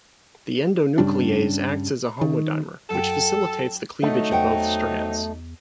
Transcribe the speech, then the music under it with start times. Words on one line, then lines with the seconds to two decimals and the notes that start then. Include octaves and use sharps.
The endonuclease acts as a homodimer, which facilitates the cleavage of both strands.
0.98 G2 C#3 G3 D4
2.21 D#3
2.90 F#2 A4 G5
4.03 D2 F#3 A3 D#4
4.31 E2 C5 F#5 G5